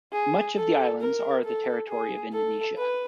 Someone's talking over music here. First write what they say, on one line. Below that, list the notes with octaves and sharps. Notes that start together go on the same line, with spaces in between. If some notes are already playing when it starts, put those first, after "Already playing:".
Much of the islands are the territory of Indonesia.
G#4
A4
A#4
A4
G#4
A4
B4